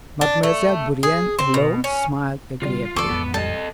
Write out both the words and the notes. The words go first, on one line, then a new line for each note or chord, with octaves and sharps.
Mademoiselle Bourienne alone smiled agreeably.
D4
A3
G#4
C4
B2
C#4
C#3 G3 F4
D2 F3 A4 D5 C#6 D6 C#7
A1 F2 G#3 B3
G3 A4 D#5 A5